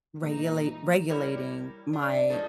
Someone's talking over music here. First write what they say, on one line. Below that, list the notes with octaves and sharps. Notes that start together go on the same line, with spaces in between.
regulate regulating my
A#2 E3 G#3 D#4
G3 E4 G4 A#4 C#5
D4
F3 G#3 A3 A4 D5